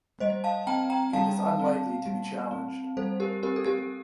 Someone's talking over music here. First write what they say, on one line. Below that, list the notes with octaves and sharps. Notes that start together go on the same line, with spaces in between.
It is unlikely to be challenged.
G3 C5 D#5
F5 A5
C4 G5 A#5
G5 A#5
G3 F5 A5
C4
G3
C4
G3 A4 C5
G4 A#4
C4 G4 A#4
A4
G4 A#4